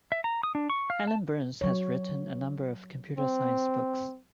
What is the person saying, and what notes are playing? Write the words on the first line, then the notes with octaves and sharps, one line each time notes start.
Alan Burns has written a number of computer science books.
E5
A#5
D#6
D4
C#6
F5
A5
F#3 C#5
C4